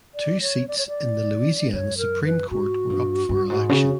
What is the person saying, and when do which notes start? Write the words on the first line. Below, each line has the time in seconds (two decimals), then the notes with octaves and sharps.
Two seats in the Louisiana Supreme Court were up for election.
0.15 D5
0.42 C#5
0.68 D5
0.78 C#5
0.88 D5
1.72 F#2 C#5
1.98 A#4
2.24 B4
2.50 G#2 F#4
2.90 G2
3.29 G2
3.50 G#2
3.69 C#3